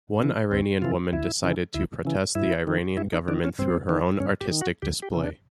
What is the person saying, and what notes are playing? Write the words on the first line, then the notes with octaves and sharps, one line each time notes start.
One Iranian woman decided to protest the Iranian government through her own artistic display.
C3 E3
D2 C4
C3 E3 F4
D2 E4
C#3 E3
D2 E4
C#3 E3
G2 E4
D#3
G2 E4
D#4
D#3 D4
C#4
G2 C4
D#3
G2 C#4
G4
D#3
F#4
D2 G4
G4
C3 E3
D4